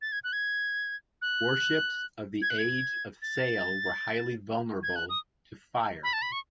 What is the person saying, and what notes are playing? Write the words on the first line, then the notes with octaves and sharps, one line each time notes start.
Warships of the age of sail were highly vulnerable to fire.
A6
G#6
F#6
G#6
F#6
G#6
F#6
G#6
A6
G#6
F#6
D#6
B5
A5
B5
C#6